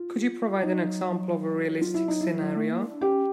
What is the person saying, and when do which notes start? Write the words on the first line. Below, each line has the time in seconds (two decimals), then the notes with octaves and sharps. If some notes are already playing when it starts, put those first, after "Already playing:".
Could you provide an example of a realistic scenario?
Already playing: F4
0.62 F#3 D#4
1.81 F4
1.94 E4
2.08 D#4
2.21 E4
2.42 F#3
2.56 A3
2.72 A#3
2.86 D4
3.01 C#4 G4